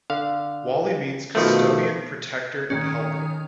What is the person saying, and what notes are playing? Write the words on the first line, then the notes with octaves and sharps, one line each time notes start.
Wali means "custodian", "protector" and "helper".
D3 F5
B2 D#3 F3 A3
D#3 C#4